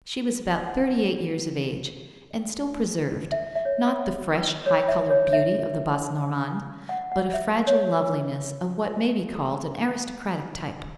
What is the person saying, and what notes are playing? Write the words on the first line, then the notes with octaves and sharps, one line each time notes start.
She was about thirty-eight years of age, and still preserved, not the fresh, high-colored beauty of the Basse-Normandes, but a fragile loveliness of what may be called an aristocratic type.
F#5
E5
E5
C#5
B4
C#5
E5
C#5
E5
F#5
F#5
E5
C#5
B4
A4